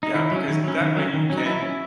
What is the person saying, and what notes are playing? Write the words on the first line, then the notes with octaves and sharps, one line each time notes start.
Yeah, because that way you can
D#4
D#3 E4
F#3 C#4
D#3
F#3 C#4
D#3
F#3 C#4
D#3
F#3 C#4
D#4
F#3 E4
C#4